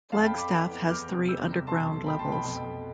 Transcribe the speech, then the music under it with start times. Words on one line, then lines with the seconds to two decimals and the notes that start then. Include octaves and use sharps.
Flagstaff has three underground levels.
0.12 F2 F5 A5
0.25 G5 B5
0.31 F2
0.38 B5 D6
0.51 E3 B5 D6
0.70 B3
0.81 G6
0.90 E2 D6 F6
1.09 C3
1.28 G3 E6 G6
1.48 C3
1.67 B2 A5 C6
1.87 B1
2.06 A3 G5 B5
2.19 A5 C6
2.26 B2
2.32 G5 B5
2.45 F2
2.64 F2